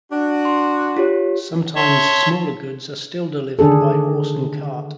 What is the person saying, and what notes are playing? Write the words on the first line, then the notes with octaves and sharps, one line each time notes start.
Sometimes smaller goods are still delivered by horse and cart.
D4 F#4
C6
F4 G4 C#5
C#5 E5 A5 C6 C#6
D3 D#3 D4 G#4 A4